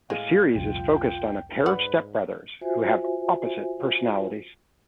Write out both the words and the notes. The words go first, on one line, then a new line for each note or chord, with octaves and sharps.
The series is focused on a pair of stepbrothers who have opposite personalities.
A2 G#3 F5
C2 F2 A#2 F4 G5
G#2 B4 D5 F#5
F4 F#4 C5 E5 G#5